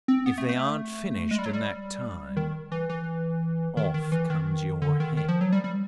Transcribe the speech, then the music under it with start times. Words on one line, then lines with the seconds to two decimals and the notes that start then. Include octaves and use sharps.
If they aren't finished in that time, off comes your head.'
0.08 C4
0.26 B3
0.38 A3
0.49 A3
1.31 G#3
1.39 G3
1.46 F#3
1.53 G3
2.37 D#3
2.72 E3
2.89 E3
3.77 D#3
3.94 D#3
4.12 E3
4.30 D#3
4.82 D3
5.00 D#3
5.17 D#3
5.28 F3
5.41 F#3
5.52 G3
5.64 G3